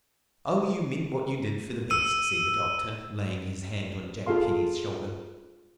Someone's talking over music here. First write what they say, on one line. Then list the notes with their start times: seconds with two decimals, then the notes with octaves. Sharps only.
"Oh, you meant what you did for the best!" said the doctor, laying his hand on Jack Penny's shoulder.
1.90 E6 D#7
4.26 F4 G#4 A4 F5 C6